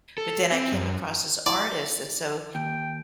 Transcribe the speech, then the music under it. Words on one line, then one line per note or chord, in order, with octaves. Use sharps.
But then I came across this artist, and so
A4
C4
F#2
E4 D5
D#2 G5